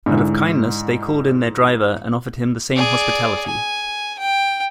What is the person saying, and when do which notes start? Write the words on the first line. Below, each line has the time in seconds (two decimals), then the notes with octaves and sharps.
Out of kindness they called in their driver and offered him the same hospitality.
0.06 G#2 D3 E4
2.75 G#4 D5
3.46 G#5
4.19 G5